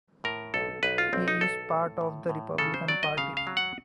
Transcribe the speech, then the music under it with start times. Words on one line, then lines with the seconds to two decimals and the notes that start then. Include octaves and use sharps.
He is part of the Republican Party.
0.24 A2 A#4
0.54 B1 A4
0.83 B1 B4
0.98 F4
1.13 B1 C4
1.28 D#4
1.41 B1 A4
1.71 A2
2.01 A2
2.29 A2
2.58 C#3 A4
2.74 C5
2.88 F#3 D5
3.03 D#5
3.17 C#3 F5
3.37 F5
3.47 F#3
3.57 F#5